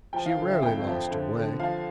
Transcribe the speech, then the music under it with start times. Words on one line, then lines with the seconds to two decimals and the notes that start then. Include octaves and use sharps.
She rarely lost her way.
0.13 F3 G5
0.26 F5
0.38 D3
0.50 E5
0.62 F2 G5
0.87 F3
1.10 D3
1.35 D3
1.60 F3 F5